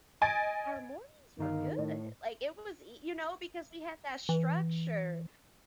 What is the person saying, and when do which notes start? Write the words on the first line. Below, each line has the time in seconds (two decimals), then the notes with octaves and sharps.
our mornings were good." Like, it was y you know, because we had that structure
0.21 D#5 G#5 G#6 A6 D7
1.38 G1 D#3 D#4 F5
1.78 A2
4.29 E3